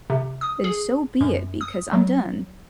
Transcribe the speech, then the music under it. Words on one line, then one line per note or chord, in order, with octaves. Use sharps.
then so be it, because I'm done.
C3
D#6
G#4
F#2
D#6
F#3